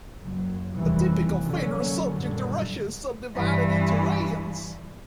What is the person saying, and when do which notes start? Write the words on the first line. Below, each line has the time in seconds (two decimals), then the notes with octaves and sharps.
A typical federal subject of Russia is subdivided into raions.
0.19 F#1 F#3
0.76 F1 D#2 E3 G3 C4
1.44 D3 F#3 A#3 C#4
2.10 F#2 A#2 D3 D#3 F#3 G3
3.34 G2 E3